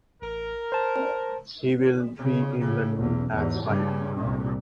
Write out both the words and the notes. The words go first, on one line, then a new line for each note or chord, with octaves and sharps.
He will be in London at five.
A1 A#4
C5 A5
C#3
A2 C#3
B1 E2
E2 G#2
G2 C#3
C2 A#2